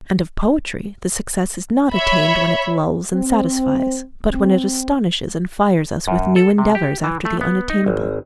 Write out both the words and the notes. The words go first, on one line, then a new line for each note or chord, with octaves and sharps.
And of poetry the success is not attained when it lulls and satisfies, but when it astonishes and fires us with new endeavors after the unattainable.
C#5 E5 B5
C4
C4
F#2
A4
C3
G4
E3
A3
B3
D#4
G#1